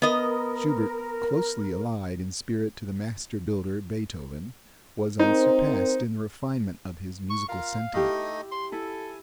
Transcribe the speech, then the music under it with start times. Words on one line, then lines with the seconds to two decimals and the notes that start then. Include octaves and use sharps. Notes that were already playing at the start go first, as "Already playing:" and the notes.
Schubert, closely allied in spirit to the master-builder, Beethoven, was unsurpassed in the refinement of his musical sentiment.
0.02 B3 A#4 D#5
5.19 C4 D#4 A#4 C5
7.30 C#6
7.49 F4 A#4 F5
7.94 A3 D#4 E4 G4 D#5
8.52 C6
8.72 E4 A4 G#5